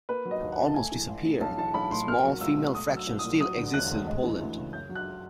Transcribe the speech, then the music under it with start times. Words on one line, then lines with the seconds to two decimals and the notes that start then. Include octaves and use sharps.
Almost disappeared, a small female fraction still exists in Poland.
0.09 A#3 B4
0.25 F#3
0.31 D#5
0.42 D#2
0.52 F#5
0.58 C#3
0.67 A5
0.74 A3 G#5
0.92 E3
1.09 A1
1.25 A2
1.41 B1 A5
1.58 E3 A5
1.74 B1 B5
1.91 A2 C6
2.07 A#3 F6
2.24 F#3
2.40 C#2 E6
2.57 B2
2.74 A3 D#6
2.91 F#3
2.97 E6
3.07 C2
3.19 D#6
3.24 A#2
3.40 F#3 D#6
3.57 D3
3.73 E1 F#6
3.90 D2
4.07 G#3
4.24 E3
4.41 D2
4.57 C#3
4.73 F#2 G6
4.89 F#3
4.95 F#6